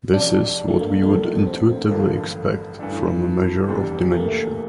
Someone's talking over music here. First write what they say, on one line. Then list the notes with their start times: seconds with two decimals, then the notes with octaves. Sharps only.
This is what we would intuitively expect from a measure of dimension.
0.14 F1 F2 C3 D4
0.68 A3
0.81 A#3
1.02 F1 F2 C3 F3 A3
1.24 A3
1.47 C4
1.69 C4
1.90 A1 G2 D3 F3 A#3 A4
2.79 G2 E3 A3 D4
3.67 F1 E2 C3 G3 D4
4.12 A3
4.20 A#3
4.28 A3